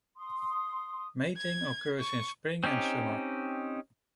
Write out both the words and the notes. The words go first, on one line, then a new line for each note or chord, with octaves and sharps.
Mating occurs in spring and summer.
C6 D#6
G#6
C#6
C4 C#4 D#4 G4